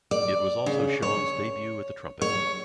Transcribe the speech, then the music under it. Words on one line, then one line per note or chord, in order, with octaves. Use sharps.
It was also Sean's debut at the trumpet.
D5
C#3
C#5
C#5